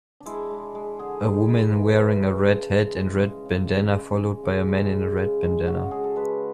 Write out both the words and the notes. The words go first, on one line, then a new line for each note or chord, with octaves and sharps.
A woman wearing a red hat and red bandanna followed by a man in a red bandanna.
D4
G#3 E4
G#3
G#3
D3 G#4
G#3
G#3
E3
E3
C#3
C#3 A4
G#3
G#3
C#3
C#3
C#3
G#3
G#3
C#3
G#3
C#3
C#3
G#3
C#3 F#4
C#3 G#4
A4
G#3 B4